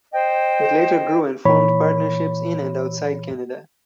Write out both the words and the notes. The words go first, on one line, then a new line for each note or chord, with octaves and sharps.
It later grew and formed partnerships in and outside Canada.
C5 D#5 G5
A#2 E3 C#5 B5